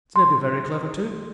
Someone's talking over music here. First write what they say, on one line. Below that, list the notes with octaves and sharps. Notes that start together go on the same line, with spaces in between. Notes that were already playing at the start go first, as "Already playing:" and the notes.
This may be very clever too.
C6